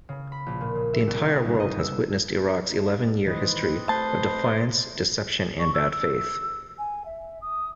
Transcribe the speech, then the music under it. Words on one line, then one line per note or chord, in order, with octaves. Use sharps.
The entire world has witnessed Iraq's eleven-year history of defiance, deception and bad faith.
C#3
B5
A#1
A#2
C#3
E5
C2
D#4
G1
D#5
E6
D#3 E3 C4 B4 D#5
A3 C5 A5
C#6
E6
E6
G#5
E5
D#6